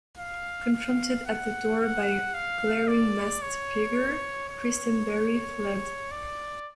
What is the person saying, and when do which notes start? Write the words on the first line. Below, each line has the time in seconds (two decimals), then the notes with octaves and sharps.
Confronted at the door by a glaring masked figure, Christenberry fled.
0.18 F5
0.72 F5
1.26 F#5
1.80 F#5
2.34 F5
2.88 D5
3.42 C#5
4.49 C#5
6.11 D5